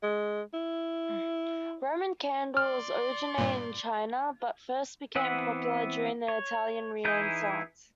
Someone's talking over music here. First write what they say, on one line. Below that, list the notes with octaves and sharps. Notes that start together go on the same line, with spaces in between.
Roman candles originated in China, but first became popular during the Italian Renaissance.
G#3
E4
D5 C6 F6
G2 A#2
E3 B3 C4 E5 F#5
C#5
E3 D#4 E4 G#4 G6